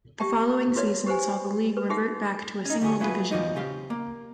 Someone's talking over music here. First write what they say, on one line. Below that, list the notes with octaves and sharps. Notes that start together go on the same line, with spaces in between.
The following season saw the league revert back to a single division.
G4 E5 G5 A5
E4 F#4 B4 C#5 D5 E5
G4 B4 C5 F#5 G#5
B4
D#4 F#4 G#4 E5 F#5
C#4 D#4
D2 G4 G#4 C#5
F#3 E4 F4 G#4 B4
E2 G#2 E3 F3 D#4
C#3 C4 G4 F5
A#3